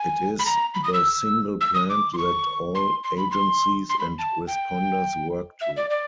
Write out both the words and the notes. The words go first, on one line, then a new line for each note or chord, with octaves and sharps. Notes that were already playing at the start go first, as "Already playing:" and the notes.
It is the single plan that all agencies and responders work to.
Already playing: G#5
B5
A#5
B5
D#6
E6
E6
D#6
D6
C6
C#6
C6
C6
B5
C6
C6
B5
A5
G5
E5
D5
D5